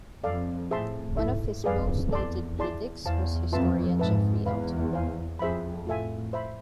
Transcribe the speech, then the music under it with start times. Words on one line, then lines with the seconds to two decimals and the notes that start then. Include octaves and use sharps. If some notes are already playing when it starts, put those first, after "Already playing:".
One of his most noted critics was the historian Geoffrey Elton.
0.24 F2 A4 D5 F5
0.71 A2 G#4 C5 E5 A5 C6
1.17 G#2 E4 A4 E5
1.64 F2 G#4 B4 D5 F5 G#5
2.11 E2 A4 D5 A5 C6
2.59 E4 G#4 D5 A5 C6
3.05 E2 C5 F5 A5
3.52 F2 F4 B4 E5 A5 C6
3.99 G#2 B4 E5 A5
4.45 E2 B4 F5 B5
4.93 C5 F5 G#5
5.39 F2 G#4 C5 E5 B5
5.86 A2 F4 A4 E5 G#5
6.33 C5 E5 B5